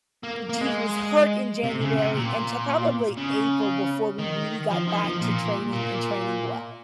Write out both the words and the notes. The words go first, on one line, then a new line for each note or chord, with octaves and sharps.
g he was hurt in January until probably April before we really got back to training and training well.
A#3
A#3
G#3
C3
C#3
C3
A#2
C#3
D#3
F3
D#3
F3
A#2
A#2